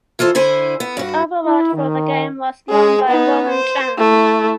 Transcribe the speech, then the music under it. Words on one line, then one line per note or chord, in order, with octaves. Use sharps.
The cover art for the game was drawn by Warren Chang.
E3 F4 A4 C5
D3 E4 C5 G#5
B3
G2 F#4
E4
D#3
G#3 G#4
B3 D#4
C5
A3 E4